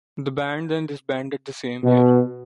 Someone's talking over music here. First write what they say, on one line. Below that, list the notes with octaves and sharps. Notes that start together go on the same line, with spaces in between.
The band then disbanded the same year.
B2